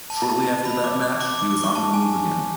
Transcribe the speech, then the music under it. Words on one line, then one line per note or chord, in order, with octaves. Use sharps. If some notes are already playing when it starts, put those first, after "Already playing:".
Shortly after that match, he was on the move again.
A5
A5
B5
D6
F#6
D6
D6
D6
C#6
A5
G#5